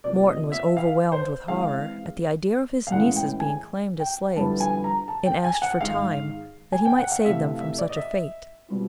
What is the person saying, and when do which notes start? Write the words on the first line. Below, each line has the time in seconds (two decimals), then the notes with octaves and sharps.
Morton was overwhelmed with horror at the idea of his nieces being claimed as slaves, and asked for time, that he might save them from such a fate.
0.04 C3 F3 A#3 D5
0.28 D#5
0.52 E5
0.77 F5
1.12 C5
1.48 E3 G#3 C4 F5
2.87 F5
2.92 A2 E3 G#3 C#4 F#5
3.16 G5
3.40 G#5
4.00 G5
4.36 F2 D3 G3 B3 E4 A5
4.60 G#5
4.84 A#5
5.08 A5
5.26 G5
5.44 G#5
5.62 F#5
5.80 G#2 D#3 G#3 F5
6.72 G#5
6.85 G5
6.98 F#5
7.11 F5
7.24 C3 E3 A3 E5
7.42 F5
7.60 E5
7.78 D5
7.89 D#5
7.96 E5
8.69 B2 G3 C4 F4